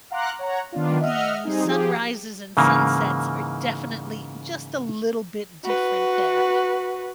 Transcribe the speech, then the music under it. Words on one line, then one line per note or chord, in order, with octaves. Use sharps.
the sunrises, and sunsets are definitely just a little bit different there,
F5 F#5 A#5 C6 D6 F#6
C#5 F#5 A#5
D#3 B3 D4 F4
D#5 E5 F#5 F6
G3 C4 D#4 G#4
F3 G4 G#4
G#2 C#3 E3 A#3
F#4 B4